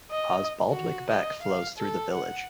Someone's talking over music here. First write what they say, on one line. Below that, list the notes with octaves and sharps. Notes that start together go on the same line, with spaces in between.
Osbaldwick Beck flows through the village.
D#5
F#4
D#5
F5
A4
F#5